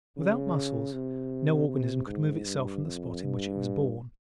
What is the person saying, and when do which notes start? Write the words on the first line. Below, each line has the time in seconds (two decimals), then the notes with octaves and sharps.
Without muscles no organism could move itself from the spot in which it was born.
0.17 C#3
0.93 C3
1.69 C3
2.07 G#2
2.46 G2
2.84 F2
3.22 G2